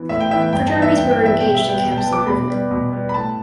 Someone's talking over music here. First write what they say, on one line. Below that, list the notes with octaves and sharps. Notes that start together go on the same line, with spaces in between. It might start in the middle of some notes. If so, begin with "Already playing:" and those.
Fraternities were engaged in campus improvement.
Already playing: E3 B3
A2 E5
G5
E3 B3 E5
G5
G2 G5
A5
E3 B3
E5
G2 G5
G5
E3 B3
E5
B2 G5
E5
B3
G5
B2
G5
A5
B3
D6
B2 B5
G3 B3
B2
G3 B3
B5
A2 A5